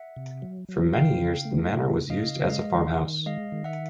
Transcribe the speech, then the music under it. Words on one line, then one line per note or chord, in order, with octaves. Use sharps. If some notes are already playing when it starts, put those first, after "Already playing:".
For many years the manor was used as a farmhouse.
Already playing: E5 F#5
C3
F#3
F#3
E3 F5 G5
C#3
A3
C#3
C#3
D#5 F5
C#3
G#3 D#5 F5
D#3
D#3
G#3 D#5 F5
D#3
E5 F#5